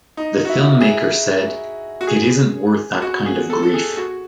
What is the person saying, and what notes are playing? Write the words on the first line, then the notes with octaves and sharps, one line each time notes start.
The filmmaker said, It isn't worth that kind of grief.
D#4
F#4
E4
G#4
F#4
G#4
F#4
G#4
A4
A4
G#4
F#4